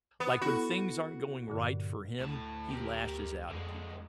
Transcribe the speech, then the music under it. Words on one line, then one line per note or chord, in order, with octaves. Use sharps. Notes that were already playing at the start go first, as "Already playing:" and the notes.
like, when things aren't going right for him, he lashes out at people,
B3
B3 E4 F#4 A4
G2 A#2 D3
D2 A2 A5
G4 A#4
F2 D3 G#3